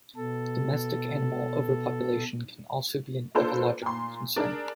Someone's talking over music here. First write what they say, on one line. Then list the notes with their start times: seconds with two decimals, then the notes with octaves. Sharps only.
Domestic animal overpopulation can also be an ecological concern.
0.16 B2 A4
3.35 A#3 D4 F4 A4 B4 C5
3.82 A#2 C6
4.36 D4 G#4 A#4